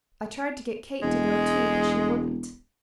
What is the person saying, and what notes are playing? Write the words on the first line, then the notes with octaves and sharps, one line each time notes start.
I tried to get Kate to go, too; but she wouldn't.
E1 G#3